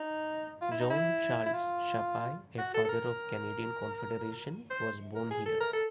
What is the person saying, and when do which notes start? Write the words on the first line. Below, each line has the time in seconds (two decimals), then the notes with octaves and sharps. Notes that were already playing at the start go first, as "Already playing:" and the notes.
Jean-Charles Chapais, a Father of Canadian Confederation, was born here.
Already playing: D#4
0.62 F4
0.71 E4
0.81 D#4
0.90 E4
1.46 E4
1.53 F4
2.58 F#4
2.74 A4
2.85 A4
2.89 A#4
4.70 C5
5.15 A#4
5.31 G#4
5.46 A4
5.60 A#4
5.73 A4